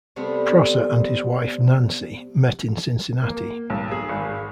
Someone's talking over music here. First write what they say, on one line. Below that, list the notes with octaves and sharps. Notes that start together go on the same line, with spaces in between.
Prosser and his wife Nancy met in Cincinnati.
C3 G3 A3 B3 C4
A#3
B1
G#4
G#1